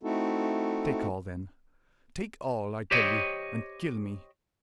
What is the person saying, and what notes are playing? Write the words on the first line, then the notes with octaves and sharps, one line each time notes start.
"Take all, then--take all, I tell you, and kill me!"
A3 C4 D#4 E4 F#4 A4
G4 C5 C#5 D#5